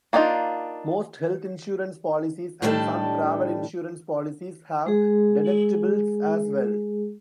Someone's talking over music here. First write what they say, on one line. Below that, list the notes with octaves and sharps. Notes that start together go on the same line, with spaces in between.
Most health insurance policies and some travel insurance policies have deductibles as well.
A#3 B3 D4 D#4 F4
A2 D#3 G3 D4 A4 A5
G#3 G#4